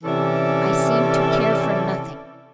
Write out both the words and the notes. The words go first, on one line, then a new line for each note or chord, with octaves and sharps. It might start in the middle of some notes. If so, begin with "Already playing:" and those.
I seemed to care for nothing.
C3 E3 C#4 A4 D5 E5